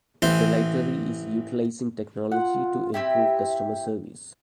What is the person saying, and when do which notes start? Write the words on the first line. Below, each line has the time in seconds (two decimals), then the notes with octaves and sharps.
The library is utilizing technology to improve customer service.
0.22 A1 E3 C5
2.31 F4 F#5
2.94 C4 E4 G4 E5